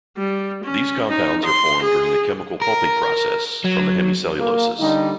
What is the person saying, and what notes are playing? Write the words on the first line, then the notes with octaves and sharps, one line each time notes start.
These compounds are formed during the chemical pulping process, from the hemicelluloses.
G3
C#4
D#4
C6
G#4
A#4
F#3
A#3
D3 G3 D#4